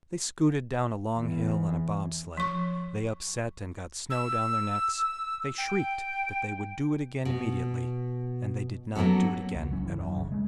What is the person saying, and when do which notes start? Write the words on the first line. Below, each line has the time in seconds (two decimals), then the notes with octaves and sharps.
They scooted down a long hill on a bob-sled, they upset and got snow down their necks they shrieked that they would do it again immediately--and they did not do it again at all.
1.16 E2
2.37 F3 C#6
4.10 E6
5.58 G5
7.25 B2
8.95 F#3 A#3 B3 C#4 A4
9.55 C#2
9.71 F#3 C#4
9.83 G1 E3
10.01 F#2
10.16 F#1 B1 C#3
10.32 G#3 A3